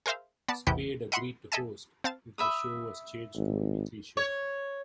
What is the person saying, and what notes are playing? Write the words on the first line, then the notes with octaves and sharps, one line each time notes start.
Spade agreed to host if the show was changed to a weekly show.
G#4 A#4 C5 E5 F5
B3 D5 A5
A1 E2 C3 B3 E4 G6
D#5 E5 F#5 B5 C6
A4 D#5 E5 G#5 A5
C4 F5 A5 A6
E5 B5 D#6
G#1
C#5